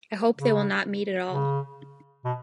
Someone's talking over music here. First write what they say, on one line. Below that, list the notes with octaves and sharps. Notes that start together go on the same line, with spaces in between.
I hope they will not meet at all.
C#3
C#3
B2